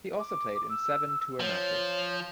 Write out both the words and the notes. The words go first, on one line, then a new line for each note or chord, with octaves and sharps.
He also played in seven tour matches.
D6
E6
F3 C#5